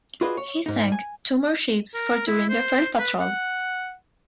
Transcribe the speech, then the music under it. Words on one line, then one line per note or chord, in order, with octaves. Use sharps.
He sank two more ships for during the first patrol.
F4 F#4 G#4 B4 D5 D#5
C#5
G#2 D#4
G#5
A#4
E4
C5
B4
F#5